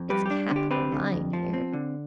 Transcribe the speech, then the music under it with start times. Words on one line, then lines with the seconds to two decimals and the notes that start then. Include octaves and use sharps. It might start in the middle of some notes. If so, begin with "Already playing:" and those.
"It's capital lying here."
Already playing: F2
0.10 G3 G4 B4
0.26 D4 G4
0.51 D3 G4
0.71 C4 G4 B4
0.92 D3
1.12 F2
1.33 F3
1.54 C4
1.73 D3